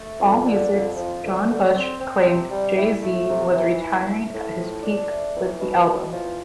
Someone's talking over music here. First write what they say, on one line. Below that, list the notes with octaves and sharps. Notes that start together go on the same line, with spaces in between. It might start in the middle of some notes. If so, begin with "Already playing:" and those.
AllMusic's John Bush claimed Jay-Z was retiring at his peak with the album.
Already playing: A3
F2
D3
F2
F3
D2
D3
C4
C4
C3
G3
E4
A3
C3
E3
E4
A3
A2
F3
D4
A3
E2
B2
E2
F3